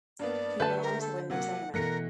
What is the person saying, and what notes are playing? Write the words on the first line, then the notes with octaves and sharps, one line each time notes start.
He went on to win the tournament.
G2 A#3 B3 D5
D3 A3 B4 A5 G6
A#4
A4
C3 F#3 A#3 F#5
B2 E3 A3 A#4 F#6 A#6 C#7